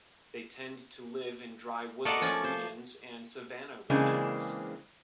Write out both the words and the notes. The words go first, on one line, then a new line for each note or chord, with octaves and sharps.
They tend to live in dry woodland regions and savannah regions.
A3 A#4 D5 D#5 F5 F#5
F3 C#4 F4 D5
C5
C#3 E3 G#3 A#3 C4 D4